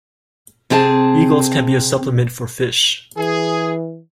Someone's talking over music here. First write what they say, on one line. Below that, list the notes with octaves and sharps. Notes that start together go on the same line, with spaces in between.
Eagles can be a supplement for fish.
C3 C4 G#4 E5 A5
E3 G#4